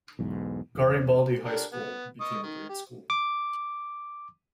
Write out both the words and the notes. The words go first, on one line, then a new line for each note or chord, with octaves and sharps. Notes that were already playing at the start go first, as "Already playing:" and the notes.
Garibaldi High School became a grade school.
B1 E2 G#2
E1
D4 G4 A#4
B3
D#5 C#6 D#6
D#3
G4
D6